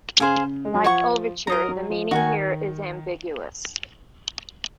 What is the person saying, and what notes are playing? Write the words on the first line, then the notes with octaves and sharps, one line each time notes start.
Like "Overture", the meaning here is ambiguous.
C#3 G#4 C5 F5 G#5
G#3
F#3
F3 C#5 F#5 C#6
F#3 A#4 D#5 A#5
F#3
F3
D#3 F#4 C#5 G#5